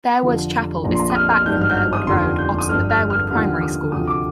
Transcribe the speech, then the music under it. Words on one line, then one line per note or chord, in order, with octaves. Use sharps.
Bearwood Chapel is set back from Bearwood Road opposite the Bearwood Primary School.
F1 F2 D3 F3
A#1 A#2 F3 A#5
C6
A#5
D#6
F6
F6
G#1 G2 D#3 G6
F6
G6
F6
D#6
F1 D#2 D3 F3 C6
G6
D#6
G1 G2 F3 F6
F6
F6
D#2 D3 F3 F6
D#6
D2 C3 F3 D#6
D6